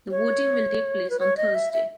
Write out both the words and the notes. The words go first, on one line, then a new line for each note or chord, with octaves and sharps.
The voting will take place on Thursday.
C#5
B4
C#5
D#5
E5
E5